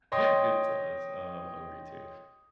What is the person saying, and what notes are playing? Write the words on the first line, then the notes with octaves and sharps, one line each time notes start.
It does, oh, I'm hungry too,
C#5 D#5 G5 C6 D#6